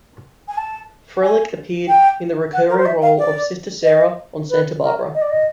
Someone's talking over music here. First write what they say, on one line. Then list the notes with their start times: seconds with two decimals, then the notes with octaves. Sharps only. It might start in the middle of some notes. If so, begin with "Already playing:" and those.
Frelich appeared in the recurring role of Sister Sarah on "Santa Barbara".
0.48 G#5
0.57 A5
1.22 G#5
1.87 G5
2.53 F#5
2.69 A#4
2.77 C5
2.85 E5
3.01 F5
3.18 D5
3.83 D#5
4.49 B4
4.82 A#4
5.14 D#5
5.21 D5
5.29 D#5